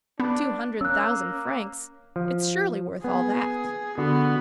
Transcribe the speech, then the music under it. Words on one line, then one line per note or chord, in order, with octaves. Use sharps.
Two hundred thousand francs--it's surely worth all that.
B3 D4
A#3 C#4 E6 F#6
F3
B3 G#4
D3 B3 F#4